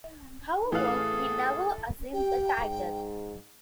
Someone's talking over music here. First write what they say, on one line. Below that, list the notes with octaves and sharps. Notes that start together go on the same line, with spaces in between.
However, he never assumed the title.
A1 E3 G#4 A4 F5 F#6
G4 G5
G#2